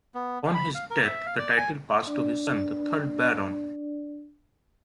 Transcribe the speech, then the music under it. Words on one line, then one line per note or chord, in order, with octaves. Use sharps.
On his death, the title passed to his son, the third Baron.
B3
B5
F5
A#4
E5
F5
D5
G#5
D4 D5